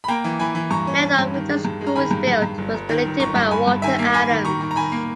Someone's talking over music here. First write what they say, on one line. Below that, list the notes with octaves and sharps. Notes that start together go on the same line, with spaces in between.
The land on which the school is built was donated by Walter Adams.
B5
A#3 G5 A#5
E3
E3 G#5 B5
E3
G2 A#5 C#6
C#4
C#4
G2
D#3
G#3
G2
G#3
A#5
D#3 G#5 B5
G2
G2
G2
G1
G1
D#3
G1
G1 A#5 C#6
G2
G1 G#5 B5
G2
D#3 E5 G#5
A#3
A#3 G#5 B5
D#3
D#3 A#5 C#6
D#3
A#5
D#3 G#5 B5
A#3